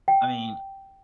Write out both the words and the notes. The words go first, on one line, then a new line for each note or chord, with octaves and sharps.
I mean,
G5